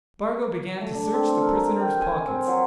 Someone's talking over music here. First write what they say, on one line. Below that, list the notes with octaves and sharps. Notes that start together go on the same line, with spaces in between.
Spargo began to search the prisoner's pockets.
A3
D4
C4
A4
A#4
G5
G#5
C4
F#3